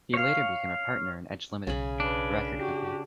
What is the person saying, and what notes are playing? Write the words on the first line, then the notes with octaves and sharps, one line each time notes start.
He later became a partner in Edge Limited, a record company.
C#5 F5
B1 C#3 B5
D4 B4
F#4 G4